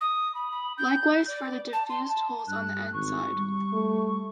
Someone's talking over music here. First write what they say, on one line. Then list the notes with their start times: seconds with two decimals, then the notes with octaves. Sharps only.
Likewise for the diffused holes on the N-side.
0.01 D#6
0.35 B5
0.51 B5
0.78 G6
1.28 D5
1.73 A5
1.90 C6
2.08 A5
2.48 G2 F#6
2.94 G#1 C#6
3.35 G3
3.73 A3